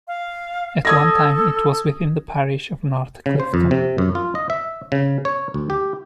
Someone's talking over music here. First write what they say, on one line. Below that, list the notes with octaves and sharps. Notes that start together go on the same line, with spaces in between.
At one time it was within the parish of North Clifton.
F5
A4 D#6 G#6 A#6
C#3
C5
F2
C3
F#2
F4
D#5
E5
C#3
C#5
D2
G4